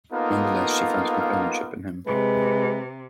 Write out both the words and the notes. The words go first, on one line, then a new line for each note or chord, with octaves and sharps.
Nonetheless, she finds companionship in him.
A#3 B3 D#4 F4 A4 F5
C3 G#3 B4